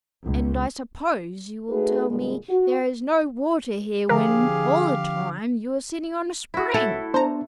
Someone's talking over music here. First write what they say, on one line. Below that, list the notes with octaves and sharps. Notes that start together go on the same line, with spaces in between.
"And I suppose you will tell me there is no water here, when all the time you are sitting on a spring."
C#2
A3 D#4 F#4 G#4 B4
A#2 D3 G3 G#3
F#4
D3 F3 C4 G4 G#4 A#4 F5
E4 F#4
E4 A4
B3 D4 C5 A5 A#5